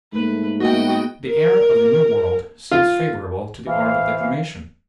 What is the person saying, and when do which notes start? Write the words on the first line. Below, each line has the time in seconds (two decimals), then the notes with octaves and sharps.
The air of the New World seems favourable to the art of declamation.
0.13 G#2 A3 A#3 B4
0.60 A#3 B3 E4 F#4 D#5 G5
1.28 A#4
2.71 F4
3.66 E3 C5 F5